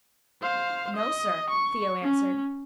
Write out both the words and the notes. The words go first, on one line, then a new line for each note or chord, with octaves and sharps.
"No, sir," Theo answered.
C5 F5
D#5
C#6
C#4